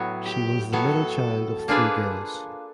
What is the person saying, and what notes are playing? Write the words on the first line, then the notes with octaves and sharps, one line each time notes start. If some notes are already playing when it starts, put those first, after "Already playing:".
She was the middle child of three girls.
Already playing: A2 F#3 B3
G4
A2 F#3 B3 A4
A#3 D4 F4 G#4 B4